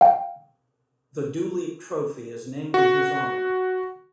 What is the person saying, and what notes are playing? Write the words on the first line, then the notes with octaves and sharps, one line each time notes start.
The Duleep Trophy is named in his honour.
F5 G5
F#4